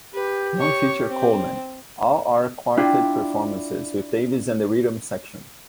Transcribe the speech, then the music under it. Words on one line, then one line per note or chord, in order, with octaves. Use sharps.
None feature Coleman; all are quartet performances with Davis and the rhythm section.
G4 B4
C#5 C#6
C4
D4 E4 F4 G5